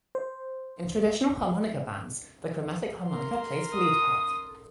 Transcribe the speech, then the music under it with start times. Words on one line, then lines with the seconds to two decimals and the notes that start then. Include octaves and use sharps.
In traditional harmonica bands, the chromatic harmonica plays the lead part.
0.15 C5
3.06 A#4 C6
3.73 D#6